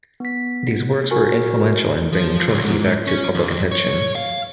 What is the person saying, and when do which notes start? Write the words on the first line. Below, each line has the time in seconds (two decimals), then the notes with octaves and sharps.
These works were influential in bringing Trocchi back to public attention.
0.20 B3 B6
1.11 F#4 A#4 G#5
2.13 F3
2.49 C#2
2.65 G#2
3.07 C#4
3.35 F2
3.72 C#5
4.15 F5